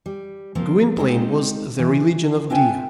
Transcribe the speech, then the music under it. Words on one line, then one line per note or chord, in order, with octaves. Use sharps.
Gwynplaine was the religion of Dea.
G3
F3 A#3 C4
G3 G#3 C4 D#4
E3
C4 D4 F4 E5 G5 G#5